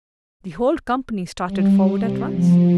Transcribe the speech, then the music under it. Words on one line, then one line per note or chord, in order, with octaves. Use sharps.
The whole company started forward at once.
G3
C3
F3